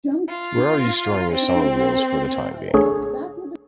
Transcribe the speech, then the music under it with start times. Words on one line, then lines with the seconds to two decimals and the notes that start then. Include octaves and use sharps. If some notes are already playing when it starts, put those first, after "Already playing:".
Where are you storing your summer wheels for the time being?
0.29 F4
1.32 C4
2.74 A1 D3 A3 G#4 C#5